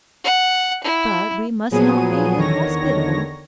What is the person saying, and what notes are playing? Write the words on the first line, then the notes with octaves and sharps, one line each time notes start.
But we must not be inhospitable.
F#5
E4
A#2 F3 F#3 B3 G#4 D#7
E2 D3 D#3 C#5 A#6